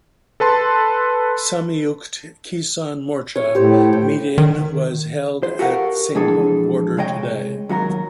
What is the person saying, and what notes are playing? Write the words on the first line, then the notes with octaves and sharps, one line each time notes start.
Samyukt Kisan Morcha meeting was held at Singhu Border today.
A4 B4 A5 C6
C#5
A2 G4 C5 C#5
G5
D#3
C5
F#4 G4 A4 A#4 F5 F#5
F2 E3 G#3 D4 G#4 A4
C#2 C3 G#3 C#5 D#5 G5
D#2 F#3 F#4 A#4